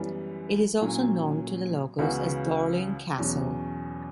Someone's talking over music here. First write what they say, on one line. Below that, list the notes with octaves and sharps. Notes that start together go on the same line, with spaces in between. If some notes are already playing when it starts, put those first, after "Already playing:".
It is also known to the locals as "Dorlin Castle".
Already playing: F#2 E3 G3 B3
A#2 F#3 C#4
C#2 C#3 E3 B3 F#4
E2 B2 F#3 C#4